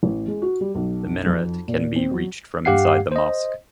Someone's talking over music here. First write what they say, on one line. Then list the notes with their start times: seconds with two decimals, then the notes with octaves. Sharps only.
The minaret can be reached from inside the mosque.
0.03 A1
0.28 G#3
0.42 F#4
0.61 G3
0.75 B1
1.26 F2
1.68 A#2
1.96 C4
2.11 F#3
2.65 G2 G4 F5 F#5 C7
3.12 C5 D#5